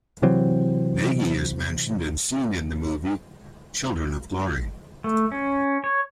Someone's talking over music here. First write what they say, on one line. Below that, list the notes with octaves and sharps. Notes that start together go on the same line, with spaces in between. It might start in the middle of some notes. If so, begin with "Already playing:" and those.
Nagy is mentioned and seen in the movie "Children of Glory".
C3 E3 F#3 C4
A3
C#4
C#5